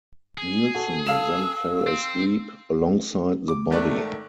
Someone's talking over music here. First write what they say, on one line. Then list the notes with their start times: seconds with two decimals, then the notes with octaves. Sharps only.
Nilsen then fell asleep alongside the body.
0.38 G#4
0.75 F#4 A4
1.07 A4 F5 E6 E7
1.87 C4
3.48 D6
3.70 G#1 D#3 A3 D5 C#6 F#6